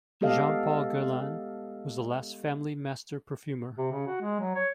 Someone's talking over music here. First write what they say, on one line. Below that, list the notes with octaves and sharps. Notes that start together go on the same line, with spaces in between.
Jean-Paul Guerlain was the last family master perfumer.
G#3 B3 G4 A4 D#5 F5
C3
C#3
F#4
G#3
F#3
C#5